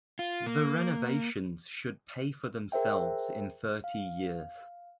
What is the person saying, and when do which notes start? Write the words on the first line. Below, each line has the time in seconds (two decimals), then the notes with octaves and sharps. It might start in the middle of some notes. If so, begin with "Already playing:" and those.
The renovations should pay for themselves in thirty years.
0.19 F4
0.47 A#3
2.72 G#4 A#4 C5 E5 G5
3.84 F5